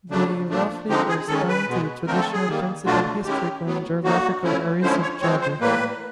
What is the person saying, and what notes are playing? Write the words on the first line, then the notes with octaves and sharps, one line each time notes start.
They roughly correspond to the traditional principal historical and geographical areas of Georgia.
C#3 F#3 A3 D4
A#2 F3 A3 D4
D3 F3 G#3 C4 D#4 G4
G#4
D#3 G#3 C#4 A4
B4
B2 G#3 B3
D3 F3 A3 C4 A#4
A4
G#4
D#3 G3 A#3
B2 F#3 A3 D4 F4 F#4
D#3 G#3 C#4 E4 G4
A2 F#3 B3
D3 F#3 A#3 D#4 F#4
F3 A3 C#4 E4
D3 F3 G#3 C#4 E4 C5
C#5
F3 G#3 C4 C#5
C5
A2 E3 G3 A#3 B4